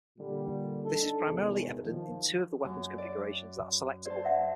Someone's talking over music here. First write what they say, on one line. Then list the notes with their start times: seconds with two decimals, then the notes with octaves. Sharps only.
This is primarily evident in two of the weapons configurations that are selectable.
0.17 A#2 D3 G3
0.83 D4 D#4 A4
1.25 G#1 E2 C3
1.84 D#3 F3
2.65 F#2
2.98 D5
4.06 C5 D5 A5
4.24 D5 E5 F#5